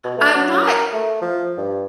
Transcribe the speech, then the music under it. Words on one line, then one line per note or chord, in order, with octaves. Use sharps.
I'm not
B2
A3
F#3
A#4
A3
F3
G2